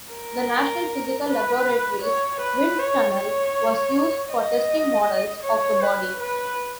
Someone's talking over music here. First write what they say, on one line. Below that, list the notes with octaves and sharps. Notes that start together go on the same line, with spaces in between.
The National Physical Laboratory's wind tunnel was used for testing models of the body.
A#4
B4
C#5
B4
C#5
C#5
D#5
C#5
B4
B4